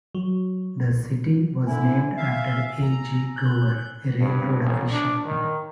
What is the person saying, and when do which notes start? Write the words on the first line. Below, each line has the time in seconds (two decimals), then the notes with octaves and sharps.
The city was named after A. G. Gower, a railroad official.
0.15 F#3
1.67 D3 E4 G#5
2.17 E5 F5
2.47 E6 G7
2.82 A#5
3.36 F#6 G6 F#7
4.20 G2
4.62 A1
4.91 D4
5.25 D#3